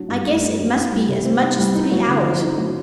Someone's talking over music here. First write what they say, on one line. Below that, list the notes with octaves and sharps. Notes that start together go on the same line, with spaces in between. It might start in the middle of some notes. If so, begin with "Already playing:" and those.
I guess it must be as much as three hours.
Already playing: F#3 D4
G2
A3
D4
F#3
D#4
G3
C3
C4
D#4
G3
D#4
F#3
D3
C4
D#4
F#3